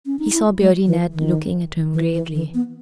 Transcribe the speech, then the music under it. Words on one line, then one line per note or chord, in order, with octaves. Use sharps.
He saw Beardy Ned looking at him gravely.
C#4
D#4
E4
G#3
E3
D#3
E3
E3
E3
B3